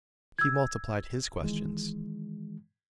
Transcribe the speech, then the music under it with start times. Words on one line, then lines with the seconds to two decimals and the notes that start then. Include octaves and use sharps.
He multiplied his questions.
0.39 E6 G#6
1.41 D#3 E3 G#3